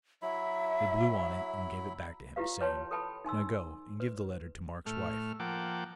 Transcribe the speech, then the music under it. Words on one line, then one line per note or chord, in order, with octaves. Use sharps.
They blew on it and gave it back to him, saying: 'Now go and give the letter to Mark's wife.
F#3 E4 E5 B5
E4 F4 G4 B4 F5
B4 C#5 G5 A5 C6
A4 B4 G5 A5 B5
D#4 G#5 C6 E6
B4
A2 A3 F6
F3 A#3 F#5 G5 A5 D6